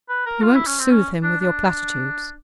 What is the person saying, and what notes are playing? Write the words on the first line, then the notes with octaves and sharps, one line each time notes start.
"You won't soothe him with your platitudes."
B4
A#4
F4
E4
C#4
C4
C#4
D4
D4